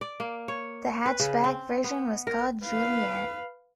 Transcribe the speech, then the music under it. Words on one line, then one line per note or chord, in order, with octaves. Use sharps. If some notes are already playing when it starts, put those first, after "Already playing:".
The hatchback version was called "Juliet".
D5
A#3
C#5
B4
C#3
C4
B3
A#4
B4 F5